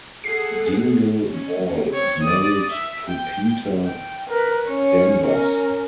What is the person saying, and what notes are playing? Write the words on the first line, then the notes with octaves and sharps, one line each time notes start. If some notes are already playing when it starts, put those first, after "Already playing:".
Dingle-Wall is married to Peta Danvers.
G#4 A4 F#5 C7
C#4
C4 C#5
D5 D#6
E5
G5
G5
A#4 B4
C#4 C#5
C#4 A#4